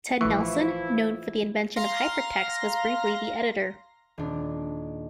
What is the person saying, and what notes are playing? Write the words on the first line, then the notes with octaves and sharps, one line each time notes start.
Ted Nelson, known for the invention of hypertext, was briefly the editor.
A1 E3 F3 E4 C#6
F5 A#5 C6 A#6
D#1 D4